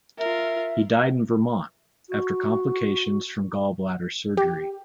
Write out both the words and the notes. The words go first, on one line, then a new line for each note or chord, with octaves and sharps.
He died in Vermont after complications from gall bladder surgery.
F4 A#4 E5
F#4
G4